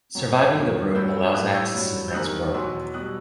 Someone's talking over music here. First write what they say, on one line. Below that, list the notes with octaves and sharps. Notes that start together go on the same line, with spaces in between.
Surviving the route allows access to the next world.
F#2 F#3
E2 D#3 F#3
G2 F#3 E6 G6
A2 G3 D#6 F#6
E6 G6
G2 F#3
G6
E2 D#3 G3 D#6 F#6
E2 B2 F#3 C6 E6
B2 G3 D#6 F#6